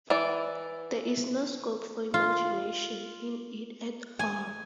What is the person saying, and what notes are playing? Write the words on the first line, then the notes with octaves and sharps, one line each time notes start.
There is no scope for imagination in it at all.
E3 D5
F4
G#5